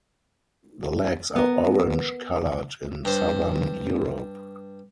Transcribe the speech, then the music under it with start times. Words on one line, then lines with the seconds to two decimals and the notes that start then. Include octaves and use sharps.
The legs are orange colored in southern Europe.
1.36 B3 A#4
3.05 G2 C5